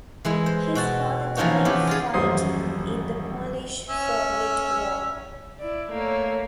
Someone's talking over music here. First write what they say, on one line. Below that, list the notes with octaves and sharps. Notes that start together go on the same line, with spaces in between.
His father died fighting in the Polish-Soviet War.
E3 G#3 E4
C5
B2 F#4 A5
C3 E3 F3 C#4 D#4 F#4
E3 B3 E4 G4
F4 G#4
D#1 A1 F#2 C5 D#6 C7
C#4 E5
E4 D5
A3 A#3 C#5